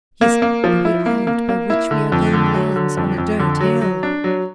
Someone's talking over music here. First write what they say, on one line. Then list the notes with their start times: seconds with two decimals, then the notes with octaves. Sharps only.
"Yes; the way out by which we are going lands on a dirt hill."
0.21 A#3
0.42 A#3
0.64 F3
0.85 E4
1.06 A#3
1.27 A#3
1.49 A#3
1.70 E4
1.91 D3
2.12 F2
2.33 D3
2.54 F#3
2.76 D3
2.97 F2
3.18 F2
3.39 D3
3.60 F#3
3.81 F#3
4.03 D4
4.24 F#3